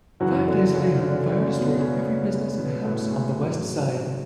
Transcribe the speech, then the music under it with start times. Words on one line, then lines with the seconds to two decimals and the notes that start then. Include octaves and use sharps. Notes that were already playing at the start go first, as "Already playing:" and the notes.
Five days later, fire destroyed every business and house on the west side.
0.20 F#2 C#3 E3 F#3 F#4
0.47 D3 D4
0.74 C#3 C#4
1.00 D3 D4
1.19 D3 D4
1.39 C#3 C#4
1.59 B2 B3
1.79 C#3 C#4
2.57 B2 B3
2.84 A2 A3
3.11 G#3
3.37 G#2 F#3